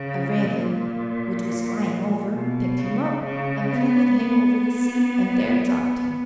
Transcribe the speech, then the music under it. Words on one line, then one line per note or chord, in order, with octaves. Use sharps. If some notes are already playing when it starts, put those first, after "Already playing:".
A raven, which was flying over, picked him up, and flew with him over the sea, and there dropped him.
Already playing: C#3
A#2
B2
C#3
C#3
B3
B3